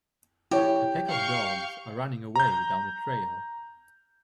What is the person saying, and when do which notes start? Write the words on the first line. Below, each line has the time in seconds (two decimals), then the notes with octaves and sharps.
A pack of dogs are running away down a trail.
0.51 E4 G4 C#5
1.09 F5 C#6 G6
2.36 A#5 G6